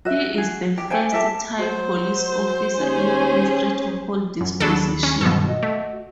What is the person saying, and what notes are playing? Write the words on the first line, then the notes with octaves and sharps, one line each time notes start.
He is the first Thai police officer in history to hold this position.
F#4 E5
F#4 G#4
G4
C5 G5 G#5
G4 A4 E5
F#3 C5
D#2 C#4 G#4
F#2
D#2 F#3 D4 G#4 A4 B5
C#4
G2 B2 D#3 F3 A4
F#4 D#5
A3